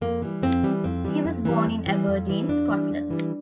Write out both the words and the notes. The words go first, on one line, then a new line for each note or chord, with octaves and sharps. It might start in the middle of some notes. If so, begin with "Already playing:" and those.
He was born in Aberdeen, Scotland.
F2 A#3
E3 G3
F2 C4
E3 G3
F2 C4
E3 G3
F2
E3 G3
F2
E3 G3
F2
E3 G3
F2 D4
E3 G3
F2
E3 G3